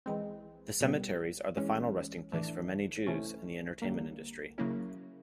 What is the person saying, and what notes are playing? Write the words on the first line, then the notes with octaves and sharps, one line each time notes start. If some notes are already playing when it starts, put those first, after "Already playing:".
The cemeteries are the final resting place for many Jews in the entertainment industry.
E3 G#3 C4
B2 G3 B3
E3 G#3 C#4
A2 E3 A3 D4
C3 E3 A3 C#4
D3 G3 A#3
C#3 F#3 A#3 C#4 E4